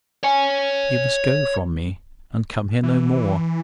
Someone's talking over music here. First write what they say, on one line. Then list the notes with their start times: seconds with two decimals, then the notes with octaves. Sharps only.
You must go from me, and come here no more.
0.23 C#5 G#5
2.83 E3